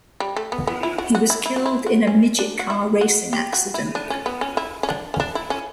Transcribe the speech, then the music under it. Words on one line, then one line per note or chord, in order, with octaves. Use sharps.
He was killed in a midget-car racing accident.
G3
A3
B3
B3
E4
F#4
F#4
E4
E4
F#4
E4
F#4
C#4
D4
F#4
E4
F#4
G4
F#4
E4
D4
C#4
B3
C#4
E4
C#4
D4
C#4
D4
E4
C#4